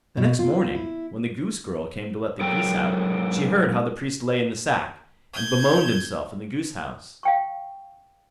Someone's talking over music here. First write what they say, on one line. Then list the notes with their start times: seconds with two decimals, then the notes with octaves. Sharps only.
The next morning, when the goose-girl came to let the geese out, she heard how the Priest lay in the sack, and bemoaned himself in the goose-house.
0.17 B2
0.39 F4
0.75 E4
2.40 G#2 F#3 A4 A#4 G5
5.33 G6 G#6
7.23 F5 G5 C#6